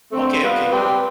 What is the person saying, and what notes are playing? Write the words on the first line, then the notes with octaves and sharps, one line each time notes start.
Okay, okay, cool.
D3 A3 C4
G3 B3 F4 B4
G3 C4 G4 B4